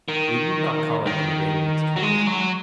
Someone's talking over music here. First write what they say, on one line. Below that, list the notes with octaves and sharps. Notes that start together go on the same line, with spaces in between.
We need not call it the Arabian's cave.
D#3
D#3
F#3
G#3
F#3